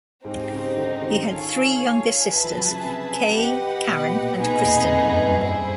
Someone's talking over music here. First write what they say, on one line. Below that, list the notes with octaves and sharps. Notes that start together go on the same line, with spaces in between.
He had three younger sisters, Kay, Karen and Kristen.
G#2 C4 D#4 G4 C5
C#3
D3
D#3
F4 A4 C#5 F5 G#5
G#4 B4 E5 A5
F3
F#3
C#3
C3
G4 B4 D#5 F#5
B2
A#2
B2 B3 D#4 G#4 B4 D#5
A#2
E2
F2
F2
F#2
G2
F#2
G2 E4 G#4 C5